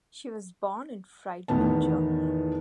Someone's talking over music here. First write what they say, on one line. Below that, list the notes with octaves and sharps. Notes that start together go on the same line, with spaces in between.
She was born in Friedland, Germany.
E2 A2 D#3 B3 A5